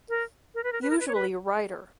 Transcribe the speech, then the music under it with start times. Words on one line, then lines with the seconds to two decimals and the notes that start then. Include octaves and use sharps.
Usually a writer.
0.09 A#4
0.55 A#4
0.63 B4
0.73 A#4
0.82 B4
0.90 A#4
1.00 B4
1.07 C#5
1.15 B4